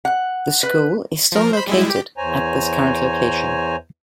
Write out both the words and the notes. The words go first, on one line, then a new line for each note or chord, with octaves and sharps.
The school is still located at this current location.
F#5
B4
F3 A#4
C5 B5
G3 G#3 E4
G4
E2 C5 C#5 G#5 A#5